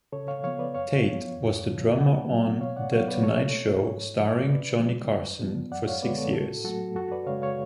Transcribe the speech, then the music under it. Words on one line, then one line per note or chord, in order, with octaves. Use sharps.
Tate was the drummer on "The Tonight Show Starring Johnny Carson" for six years.
C#3 A4 C#5
C#5 F5
F3 B3 C#5 F5
B4 D5
F#2 C#5 F5
F3 B3
F2
D3 F3
B2 D5 F#5
F#3 B3
B2 C#5 F5
D5 F#5
F#3 B3 C#5 F5
B4 D5
B2 A4 C#5
A3
G#2
F3 A3
C#3 B4 D5
F3 G#3
F#2
F3 B3
F#2 D5 F#5
C#5 F5
D3 G#3 B3 B4 D5
A4 C#5
A2 F#4 A4
F#3 A3 F#4 A4
F#2 F#4 A4
B4 D5
C#3 G#3 C#5 F5
C#5 F5